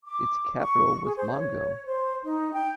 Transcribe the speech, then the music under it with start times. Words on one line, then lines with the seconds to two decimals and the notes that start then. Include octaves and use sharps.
Its capital was Mongo.
0.05 D6
0.59 C#6
1.04 G#4
1.17 C5
1.31 C#5
1.86 C5
2.24 D#4
2.53 G5